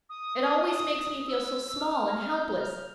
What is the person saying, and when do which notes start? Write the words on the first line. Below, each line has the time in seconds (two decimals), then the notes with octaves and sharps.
"It always makes me feel so small and helpless."
0.09 D#6
1.28 E6
1.54 E6
1.80 F6
2.06 F6
2.33 G6
2.60 F6